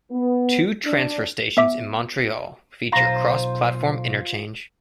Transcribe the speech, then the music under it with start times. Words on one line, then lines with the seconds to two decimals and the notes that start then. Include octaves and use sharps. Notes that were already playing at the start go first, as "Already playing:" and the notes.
Two transfer stations in Montreal feature cross-platform interchange.
0.11 B3
0.86 D4
1.57 B3 E5 D6
2.92 B1 F4 C5 A#5